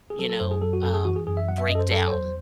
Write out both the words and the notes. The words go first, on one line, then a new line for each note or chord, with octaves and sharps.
you know, um, breakdown,
G#4
F#3 A4
A4
F#2 C5
G#4
F#3 A4
F#4
F#2 A4
G#4
E3 F#4
G#4
F#2 G#4
E5
F#3 F#5
E5
F#2 D#5
A4
C5
F#3 A4
C#5
E2 C5